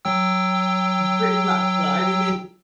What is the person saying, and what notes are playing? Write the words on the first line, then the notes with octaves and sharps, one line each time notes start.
M pretty much. Well, I mean they
F#3 G5 E6